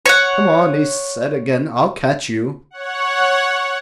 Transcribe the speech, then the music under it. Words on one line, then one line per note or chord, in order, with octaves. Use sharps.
"Come on!" he said again; "I'll catch you."
C#5 F#5
C#5 F#5